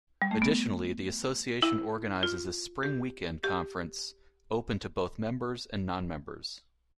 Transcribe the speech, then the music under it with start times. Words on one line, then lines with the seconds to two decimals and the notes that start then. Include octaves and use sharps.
Additionally, the association organizes a spring weekend conference open to both members and non-members.
0.22 G3
0.31 A3
0.42 B3
1.62 E4
2.23 F4
2.83 G4
3.44 G4